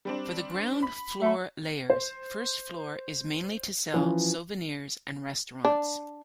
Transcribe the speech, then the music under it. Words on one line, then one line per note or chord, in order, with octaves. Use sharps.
For the ground floor layers, first floor is mainly to sell souvenirs and restaurants.
G3 C4 D4
B5
A3 E5 B5
C5
E3 F3 C#4
D4